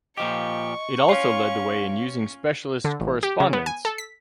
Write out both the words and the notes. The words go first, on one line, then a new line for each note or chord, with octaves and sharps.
It also led the way in using specialist correspondents.
A#2 F3 G4 D#5 C#6
C#4 F4 C#5 F5 C7
D3
A1
G4
C#3
B3
G#5
A4
B6